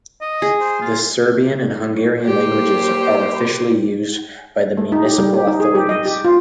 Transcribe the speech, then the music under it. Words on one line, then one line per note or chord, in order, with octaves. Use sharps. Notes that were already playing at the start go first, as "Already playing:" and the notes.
The Serbian and Hungarian languages are officially used by the municipal authorities.
D#5
G#4
C5
F4
A#3 G4 C5
A3
D#4
G4
G3
G4
D#4
G#4
G4
D#5
G4
F4